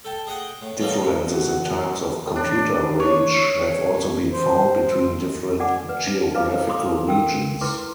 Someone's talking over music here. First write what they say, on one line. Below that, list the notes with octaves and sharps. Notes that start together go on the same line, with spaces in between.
Differences in types of computer rage have also been found between different geographical regions.
A4 G5 A5
G#4 D#5 F#5 G5
A2
E3 F#3 G3 A#3 A4 D#5
F#4
D4
C#5
C5
D5 F#5 G#5 D6
B4
E4 B4 F5 D6
A4 B5 C6 D6 D#6
A#4 G5 E6
E4 B4 C6 D6